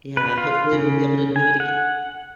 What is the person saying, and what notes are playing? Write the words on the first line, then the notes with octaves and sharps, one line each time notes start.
Yeah, hopefully we'll be able to do it agai
B4
F4
C#3
G#5
F#5